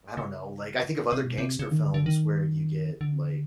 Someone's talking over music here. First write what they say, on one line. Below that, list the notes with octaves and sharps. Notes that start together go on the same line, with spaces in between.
I don't know. Like, I think of other gangster films where you get, like,
C#3
C3
B2
C3
C#3
D#3
D3
D3
D#3
D3